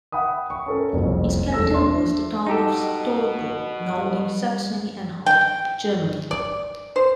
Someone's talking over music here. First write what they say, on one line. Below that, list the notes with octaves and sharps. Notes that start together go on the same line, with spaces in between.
Its capital was the town of Stolberg, now in Saxony-Anhalt, Germany.
E5 F#5 G5 B5 D#6
C#6
C#4 A4 A#4
F#1 C2 F2
E1 A4 E6 A#6
D4 E5 C6
B2 D#4 G4 A4
G3
G5
D5
C5